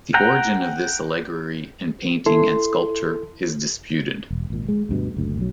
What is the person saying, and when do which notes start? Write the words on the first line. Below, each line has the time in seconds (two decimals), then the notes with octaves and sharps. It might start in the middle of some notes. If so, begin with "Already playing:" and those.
The origin of this allegory in painting and sculpture is disputed.
0.14 F#5 G5 A#5
2.26 E4 A4 C6
4.30 E1
4.50 G#1 A#2
4.68 G#3
4.89 D2 G2 B2
5.17 F#1 D2
5.37 B1 F#3